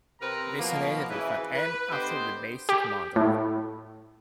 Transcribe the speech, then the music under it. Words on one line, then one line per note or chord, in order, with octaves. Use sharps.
Designated with an "M" after the basic model.
C3 C4 A#4 B4 A#5
B2 F3 A#3
C#3 E3 B4
B4
D3 B3 G4 C5 D#5 C6
G4
A2